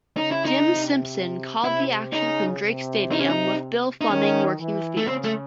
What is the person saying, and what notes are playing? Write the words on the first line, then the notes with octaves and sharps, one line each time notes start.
Jim Simpson called the action from Drake Stadium with Bill Flemming working the field.
C#3 D#4
E4
D#4
C3
C3 E4
C#3 D#4
C3
D#4
C#4
D#4
D#4
D#3 C#4
E3
A3
C#3 C4
A3